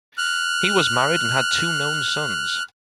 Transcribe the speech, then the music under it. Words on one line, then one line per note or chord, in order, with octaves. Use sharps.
He was married and had two known sons.
F6 F#6